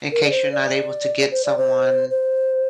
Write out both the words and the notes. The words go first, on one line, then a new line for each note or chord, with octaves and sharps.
in case you're not able to get someone
A#4
D5
C5
D5
C5
D5
C5
C5